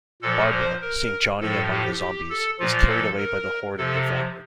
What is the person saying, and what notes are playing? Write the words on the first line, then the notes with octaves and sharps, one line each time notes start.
Barbra, seeing Johnny among the zombies, is carried away by the horde and devoured.
A#2 F3 A4
C5
A#4
A2 F3 A4
G4
G4
A4
A#2 F3 F4
A4
A#4
C3 F3 A4